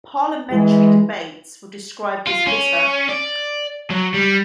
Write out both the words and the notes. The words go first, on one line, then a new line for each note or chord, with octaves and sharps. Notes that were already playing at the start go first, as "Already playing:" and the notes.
Parliamentary debates were described as 'bitter'.
E3 G#3
F4
C#4
D5
F#3
G3